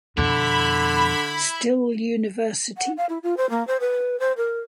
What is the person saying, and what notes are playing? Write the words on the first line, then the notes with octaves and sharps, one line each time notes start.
Still University.
F2 B2 D3 E4 B5
F#5
F5
E4
F4
C5
A#3
C5
B4
C5
A#4